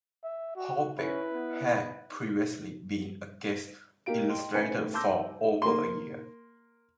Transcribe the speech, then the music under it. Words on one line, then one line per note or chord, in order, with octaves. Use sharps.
Hallbeck had previously been a guest illustrator for over a year.
E5
F#4
C#4 E4 B4
B3
A#3 D#4 G4 A#4 F5 D7
D#4 G5 C6
A1 C#3 B4 G#5 C#7
A2 A3
A5 C6 D6 E6 G6 A#6
A#3 C6